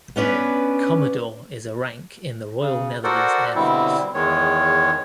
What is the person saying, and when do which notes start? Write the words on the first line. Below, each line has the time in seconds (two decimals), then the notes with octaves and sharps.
Commodore is a rank in the Royal Netherlands Air Force.
0.16 B3 C#4 D4 B4
2.60 C#3
3.04 F#4 A4 A#4 C5 D5 F#5
3.55 B2 D3 G3 C4 E4
4.14 E2 D#3 G#3 C#5